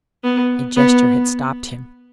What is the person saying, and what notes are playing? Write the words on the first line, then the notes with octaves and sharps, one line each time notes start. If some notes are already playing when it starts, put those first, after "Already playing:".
A gesture had stopped him.
B3
B3